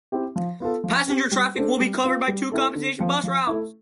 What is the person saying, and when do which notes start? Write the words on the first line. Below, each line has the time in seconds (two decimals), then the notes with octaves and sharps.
Passenger traffic will be covered by two compensation bus routes.
0.12 C4 E4 G4
0.36 F3
0.60 B3 F4 A4
0.84 F3
1.08 C4 G4
1.32 G3
1.56 D4 A4 C5
1.80 G3
2.04 C4 F4
2.28 G3
2.52 C4 E4 A4
2.75 D3
2.99 F3 C4
3.24 F3
3.47 A3 E4